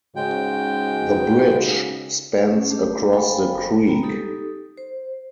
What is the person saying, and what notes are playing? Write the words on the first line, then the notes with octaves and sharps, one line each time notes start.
The bridge spans across the creek.
G#2 C#3 G#3 F#4 G5
C#4 G#4
A3 D4 G4
A4 C5 F5 G5 G#5 B5
G3 G#3 B3 C4 A#5
D#4 G4 A4
C5